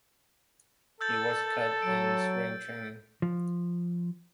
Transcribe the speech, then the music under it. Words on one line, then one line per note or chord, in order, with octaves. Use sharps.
He was cut in spring training.
A4 E6 G6 A6
F#3 D7
F3